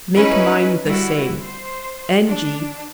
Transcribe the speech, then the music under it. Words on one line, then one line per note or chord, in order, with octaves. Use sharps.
Make mine the same. N.g.
C#4 D#4 E4 B4
G3 E4 F#4
C5
D4